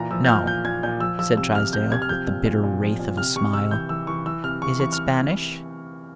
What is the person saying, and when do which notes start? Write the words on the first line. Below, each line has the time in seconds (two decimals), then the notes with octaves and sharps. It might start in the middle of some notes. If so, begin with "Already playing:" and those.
"No," said Trysdale, with the bitter wraith of a smile--"Is it Spanish?"
Already playing: A#2 E3 A#5
0.11 F3 E6
0.24 G6
0.28 A#2 F6
0.46 A#2 G6
0.65 A#2 G#6
0.83 A#2 G6
1.00 F3 E6
1.19 F3 E6
1.37 C3 E6
1.55 C3 F6
1.73 C3 G6
1.91 C3 G#6
2.02 F6
2.09 F3 G6
2.27 A#2
2.45 A#2
2.63 A#2
2.81 F3
2.99 A#2
3.17 C3 F6
3.36 C3 C#6
3.54 C3 E6
3.71 E3 G6
3.89 E3 E6
4.07 E3 C#6
4.25 E3 E6
4.44 C3 F6
4.62 C3 C#6
4.80 E3 C#6
4.93 F6